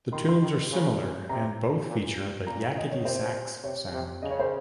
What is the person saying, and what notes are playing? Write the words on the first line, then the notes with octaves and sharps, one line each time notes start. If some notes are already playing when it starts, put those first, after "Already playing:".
The tunes are similar, and both feature the "yakety sax" sound.
D#3 C6
C6
D#3
C#3
C3 A#5
A#2
G2
A#2 A#5
D#5
C#5
C3 C5
C3 C#5
C3
C#3 D#5
C#5
C5